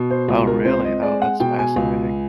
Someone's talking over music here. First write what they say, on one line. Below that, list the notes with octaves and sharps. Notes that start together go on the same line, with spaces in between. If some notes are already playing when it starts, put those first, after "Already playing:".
Oh, really? Oh that's fascinating.
Already playing: B2
C5
C#2
A#4
C4 C5
D#5
G#3 D5
F#5
B2 G5
G#5
C#2